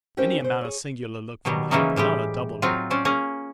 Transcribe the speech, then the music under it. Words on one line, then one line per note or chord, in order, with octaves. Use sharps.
Any amount of singular look for me, but not a double look!
C4 C#4 D#4 G4 A#4 C5
C#3 C5
G#4 C#5
B2 D#3 F#3 G3
C#3 E3 F#3 A#3 C#4 D#4
A2 G3 G#3 G4
F#3 C4 D#4 F4
C#4 C5 D5
A#3 C#4 G#4 A#5